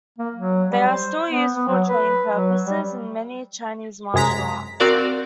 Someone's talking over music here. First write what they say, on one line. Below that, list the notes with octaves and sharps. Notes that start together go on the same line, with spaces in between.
They are still used for training purposes in many Chinese martial arts.
A#3
F#3
G3
C5
B3
B3
F#3
B4
F#3
G3
F#2 C3 G#3 A#5 B6
C4 F#4 A#4 D5 F5